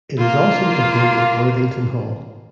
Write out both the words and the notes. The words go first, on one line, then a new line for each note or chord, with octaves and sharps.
It is also the home of Worthington Hall.
A#3 F4